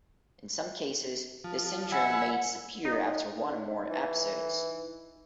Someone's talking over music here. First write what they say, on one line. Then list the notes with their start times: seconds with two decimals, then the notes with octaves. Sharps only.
In some cases, this syndrome may disappear after one or more episodes.
1.44 F3
1.92 E5 F#5 G#5 B5
2.85 D#4
3.90 E3